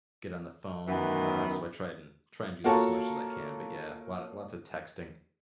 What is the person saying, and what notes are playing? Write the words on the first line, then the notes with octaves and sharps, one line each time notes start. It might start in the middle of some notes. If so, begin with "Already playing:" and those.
get on the phone, uh, so I try and try and do that as much as I can, but yeah, lotta lots of texting.
F#2 D#3 E3 B3
A#3 F4 F#4 A4 C#5 A#5